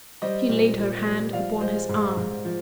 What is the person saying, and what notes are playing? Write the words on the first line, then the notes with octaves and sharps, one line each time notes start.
She laid her hand upon his arm.
G3 C5 D#5
A#2
A#2
G3
F3 D5 F5
G#3 C5 D#5
G#2
G#2
F3